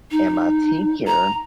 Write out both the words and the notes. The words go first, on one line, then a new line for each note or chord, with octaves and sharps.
and my teacher
D#4
A#5